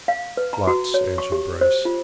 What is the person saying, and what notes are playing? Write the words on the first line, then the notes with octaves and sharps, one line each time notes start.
"Lots!" answered Bryce.
F5
B4
A#5
F#4
C#5
C#6
G4
C5
F4